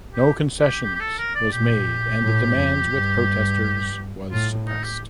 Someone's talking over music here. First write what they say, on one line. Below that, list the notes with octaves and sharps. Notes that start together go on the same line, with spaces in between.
No concessions was made and the demands with protesters was suppressed.
G4
G4
G4
G4
A4
A#4
D5
A#2 G4
A2
F2
G2
A2 F4
D#4
G4